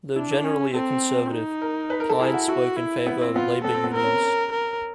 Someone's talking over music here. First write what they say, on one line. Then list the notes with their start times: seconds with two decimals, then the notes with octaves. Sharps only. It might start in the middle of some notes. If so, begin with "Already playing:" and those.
Though generally a conservative, Pyne spoke in favor of labor unions.
0.16 D4 E4
0.30 E4
0.44 C#4
0.74 C4 A4
1.32 D#4
1.61 A#4
1.90 B4
2.00 A#4
2.10 A4
2.19 E4 G#4
2.34 F#4
2.48 E4 F#4
2.77 E4
3.06 B3
3.21 C4
3.35 B3 F4
3.64 B3 A4
3.74 C4
3.84 B3
3.94 C4 A#4
4.04 C#4
4.23 C#4
4.52 A#4